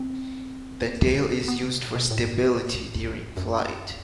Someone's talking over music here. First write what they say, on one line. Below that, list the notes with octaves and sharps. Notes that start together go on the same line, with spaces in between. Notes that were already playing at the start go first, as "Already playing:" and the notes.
The tail is used for stability during flight.
Already playing: C4
B3
C3
B2
A2
B2
A2
G2
B2
A2
F#2